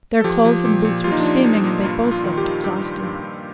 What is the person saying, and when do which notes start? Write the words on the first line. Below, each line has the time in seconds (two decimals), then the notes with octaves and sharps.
Their clothes and boots were steaming, and they both looked exhausted.
0.20 A4
0.24 F3 G4
0.45 F3
0.65 A#2
0.85 A#2
1.04 A#2 F4
1.12 D#4
1.20 D4
1.24 F3 D#4
1.44 F3
1.64 A#2
1.84 G2 F4
2.04 G2
2.11 F4
2.24 D#3
2.38 G4
2.44 D#3
2.64 G2 G4
2.84 G2
3.03 G2
3.23 G2